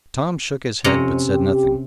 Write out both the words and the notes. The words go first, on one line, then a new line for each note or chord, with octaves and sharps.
Tom shook his head, but said nothing.
F2 C3 C#4 A#5
G4